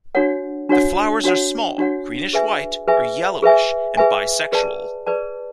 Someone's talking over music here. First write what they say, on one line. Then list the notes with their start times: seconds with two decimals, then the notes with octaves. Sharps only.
The flowers are small, greenish-white or yellowish, and bisexual.
0.15 D4 F#4 C#5 F#5
0.69 D4 F#4 C#5 F#5
1.24 D4 F#4 C#5 F#5
1.78 D4 F#4 C#5 F#5
2.33 G#4 B4 E5 G#5
2.88 G#4 B4 E5 G#5
3.43 G#4 B4 E5 G#5
3.97 G#4 B4 E5 G#5
4.52 G#4 B4 D5 A5
5.07 G#4 B4 D5 A5